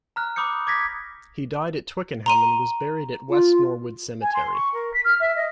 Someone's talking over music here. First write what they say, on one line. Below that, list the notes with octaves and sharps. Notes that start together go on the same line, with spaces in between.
He died at Twickenham and was buried at West Norwood Cemetery.
A#5 F6 F#6
B5 D6 D#6 G6 C#7
D6 G#6 A#6 B6
A#5 C6 D#7
F4
G#5
C6
C#6
A#4
B6
F6
E5
D#5